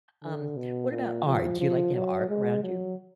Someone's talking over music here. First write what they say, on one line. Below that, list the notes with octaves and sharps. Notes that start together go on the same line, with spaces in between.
Um, what about art? Do you like to have art around you?
D3
B2
A#2
F3
F3
F#3
G#3
F#3